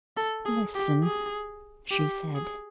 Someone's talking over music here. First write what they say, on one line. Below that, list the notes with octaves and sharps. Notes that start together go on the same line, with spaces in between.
"Listen," she said.
A4
G#4
G4
G#4
G4
G#4